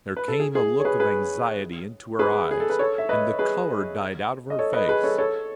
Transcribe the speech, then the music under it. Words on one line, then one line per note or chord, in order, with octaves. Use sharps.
There came a look of anxiety into her eyes, and the colour died out of her face.
B4
A4
G#4
G#4
C#5
G#4 B4
G#4 B4
G#4 B4
G#4
A4
B4
A4 C#5
E5
B4 D#5
G#4 B4
D#5
A4 C#5
B4 D#5
G#4 B4
A4 C#5
A4 C#5